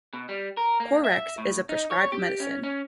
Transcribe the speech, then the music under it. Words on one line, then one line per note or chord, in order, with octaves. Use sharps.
Corex is a prescribed medicine.
B2
G3
A#4
A#3
E5
A2
D#4
C#5
G4
C#4
C#4